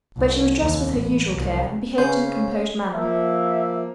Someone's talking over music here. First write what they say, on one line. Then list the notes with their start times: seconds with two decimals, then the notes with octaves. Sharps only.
But she was dressed with her usual care and behaved in a composed manner.
0.17 C2
0.61 D#2
0.94 A1
1.34 C2
1.98 C#3 C#4 C5
2.95 F3 A#3 E5